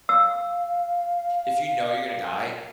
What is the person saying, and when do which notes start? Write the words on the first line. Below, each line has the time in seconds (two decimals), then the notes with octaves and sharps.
if you know you're gonna die
0.09 F5 E6